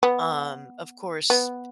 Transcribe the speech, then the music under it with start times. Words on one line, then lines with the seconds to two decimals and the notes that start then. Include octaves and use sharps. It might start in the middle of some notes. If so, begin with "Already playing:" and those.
um, of course,
0.03 B3
1.30 B3